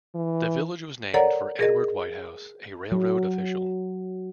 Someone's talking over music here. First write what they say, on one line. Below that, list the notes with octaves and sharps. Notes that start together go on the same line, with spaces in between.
The village was named for Edward Whitehouse, a railroad official.
E3
A4 A#4 C#5 D5 F#5 A#5
G#4 A#4 D#5
F#3